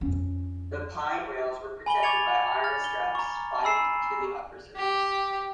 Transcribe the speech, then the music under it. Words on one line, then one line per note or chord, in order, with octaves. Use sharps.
The pine rails were protected by iron straps spiked to the upper surface.
F2 C#4
G#5 B5 F#7 G7
C#6 D6 G#6 A6 C#7 F7
F6 A6
G7
A#5 C#6
G#5 B5 E6 C7 E7
G4